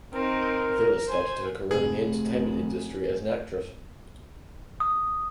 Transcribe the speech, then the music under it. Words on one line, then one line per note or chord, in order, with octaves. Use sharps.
Villa started her career in the entertainment industry as an actress.
C4 D#4 A#4
C5 G#5
F1 G#4
D#6